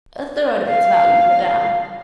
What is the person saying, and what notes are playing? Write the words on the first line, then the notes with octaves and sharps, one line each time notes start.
"A third of its value, madame."
F5